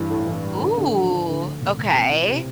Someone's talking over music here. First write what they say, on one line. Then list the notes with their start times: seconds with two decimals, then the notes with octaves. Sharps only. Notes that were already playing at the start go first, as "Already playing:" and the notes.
Ooh, okay.
Already playing: G2 E3
0.10 A2
0.27 E3
0.44 G3
0.60 D3
0.78 D3
0.94 F3
1.11 D3
1.28 D2
1.44 D2
1.61 E1
1.78 E1
1.95 C4
2.11 E4
2.28 C3